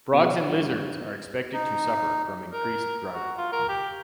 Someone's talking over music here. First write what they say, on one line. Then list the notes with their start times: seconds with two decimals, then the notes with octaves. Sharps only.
Frogs and lizards are expected to suffer from increased drought.
0.13 B2
0.52 G2
1.53 D#4
2.52 A#4
3.14 F#4
3.38 F4
3.52 A#4
3.69 G4